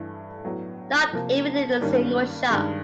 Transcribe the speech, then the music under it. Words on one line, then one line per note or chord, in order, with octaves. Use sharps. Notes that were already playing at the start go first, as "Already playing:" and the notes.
Not even in a single shot.
Already playing: G2 E3 A3
A2 F#3 B3
C3 F3 A#3
G2 D#3 G3 A#3 C#4
G2 D#3 G#3